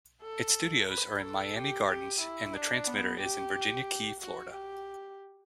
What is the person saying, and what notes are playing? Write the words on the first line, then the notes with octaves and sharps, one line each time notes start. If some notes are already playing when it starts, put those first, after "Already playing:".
Its studios are in Miami Gardens and the transmitter is in Virginia Key, Florida.
A4
B4
A4
G4
G4
E4
D4
B3
G4
F#4
G4